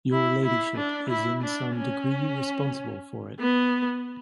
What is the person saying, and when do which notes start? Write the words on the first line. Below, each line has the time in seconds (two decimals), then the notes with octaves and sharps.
Your ladyship is in some degree responsible for it.
0.12 E4
0.45 E4
0.77 D4
1.09 E4
1.43 D4
1.76 C#4
3.40 B3